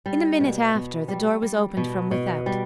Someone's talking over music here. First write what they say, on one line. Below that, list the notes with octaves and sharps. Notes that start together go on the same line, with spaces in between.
In a minute after, the door was opened from without.
G3
B2
B2
G3
G3
B2
B2
G3